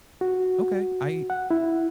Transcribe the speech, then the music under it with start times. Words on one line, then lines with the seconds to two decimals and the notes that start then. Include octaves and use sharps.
okay. I
0.21 F#4
1.30 F#5
1.51 E4